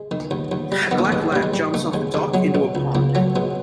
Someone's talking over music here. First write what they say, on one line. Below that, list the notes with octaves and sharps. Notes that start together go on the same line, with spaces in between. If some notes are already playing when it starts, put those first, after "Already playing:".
A black lab jumps off a dock into a pond.
Already playing: G#3
D#3
D#2
D#2
G3
D#3 B3
A#3
A3
D#2 G#3
D#2 G3
G#3
G3
D#3 A3
D#2 G#3
D#2 G#3
F#3 G#3
B2
C#2
C#2 A#3
F#3 A3
B2 G#3